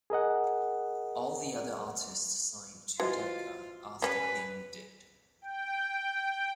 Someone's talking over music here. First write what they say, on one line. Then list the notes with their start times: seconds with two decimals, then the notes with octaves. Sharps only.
All the other artists signed to Decca after Bing did.
0.10 G#4 A#4 D#5 F#5
3.00 E3 F4 F#4 C5 D#5
4.02 G3 C#4 B4
5.42 G5